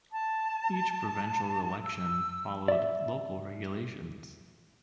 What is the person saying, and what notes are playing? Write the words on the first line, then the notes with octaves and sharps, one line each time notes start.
Each provincial election followed local regulations.
A5
E6
D5 E5